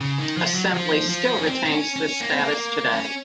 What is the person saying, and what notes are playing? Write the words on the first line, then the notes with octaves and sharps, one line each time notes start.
Assembly still retains this status today.
C#3
D#3
F3
F#3
F3
F3
C#4
C4
C4
C#4
C#4
A#3
C4
A#3
C#4